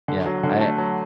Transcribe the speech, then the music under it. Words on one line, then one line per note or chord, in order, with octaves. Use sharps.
Yeah. I
D3
F#3
D3
A3
F#3